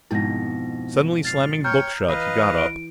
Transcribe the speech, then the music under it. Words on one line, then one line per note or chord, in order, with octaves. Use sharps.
Suddenly slamming the book shut, he got up.
F2 G#2 B2 E4 A#6
F6 A6 C7
C#5 G5 A#5 C#6 F6 G6
E3 B4 D#5 F5
D7